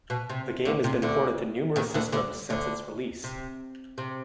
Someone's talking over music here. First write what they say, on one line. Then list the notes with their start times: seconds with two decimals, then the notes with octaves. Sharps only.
The game has been ported to numerous systems since its release.
0.10 B2
0.30 C3
0.65 D2 D3
0.84 C3
1.02 D2 D3
1.76 D#2 D#3
1.94 D2 D3
2.12 D2 D3
2.50 D2 D3
3.24 C3
3.98 C3